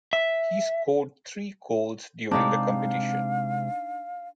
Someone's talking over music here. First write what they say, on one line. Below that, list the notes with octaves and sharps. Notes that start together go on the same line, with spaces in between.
He scored three goals during the competition.
E5
C3 G#3 C4 D4 D#4 G4 F5